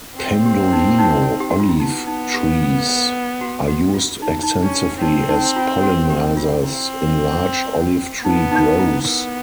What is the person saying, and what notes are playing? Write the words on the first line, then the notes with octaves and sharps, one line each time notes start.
'Pendolino' olive trees are used extensively as pollenizers in large olive tree groves.
C4 F#4
G4
D#4
D#4
G4
F#4
F4
E4
B3 D#4
D#4
G4
F#4
F#4
F4
D#4
E4
D#4
C#4 D4
C4 D#4
D#4
F4
F#4
G4
F4
C4 E4
B3 D#4
D#4
E4
B3 A#4